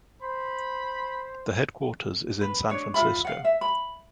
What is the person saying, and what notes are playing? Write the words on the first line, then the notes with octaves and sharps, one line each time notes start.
The headquarters is in San Francisco.
C5 B5
B4
D4 C#5
F4 A#4 E5 B5
F5 F#5
E5
B5